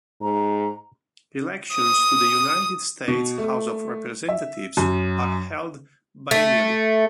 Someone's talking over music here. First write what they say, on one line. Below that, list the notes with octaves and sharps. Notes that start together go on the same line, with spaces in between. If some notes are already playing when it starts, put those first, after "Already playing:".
Elections to the United States House of Representatives are held biennially.
G#2 A#5
D#6
B2
A3
E5
F#2
A3